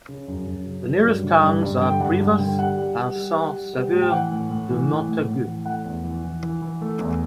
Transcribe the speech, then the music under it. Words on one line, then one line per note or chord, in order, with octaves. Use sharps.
The nearest towns are Privas and Saint-Sauveur-de-Montagut.
C#3
F#2
F#2
C#3
F#3
G2
D3
G2
G2
D3 G5
G2 F#5
G2
D3 G5
G3 F#5
G3
G3
G3
G3
G3
G3
A2
G5
E3 F#5
A2
A2
E3
A2
A2
A2
E3
A3 F#5
E2
E3
E3
E3
E3
A3
E2